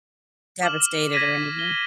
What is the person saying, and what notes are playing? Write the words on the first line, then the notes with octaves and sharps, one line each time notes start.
Devastated or anything.
D6 F6 E7 F#7
G#6 A#6 B6 D#7 E7
G7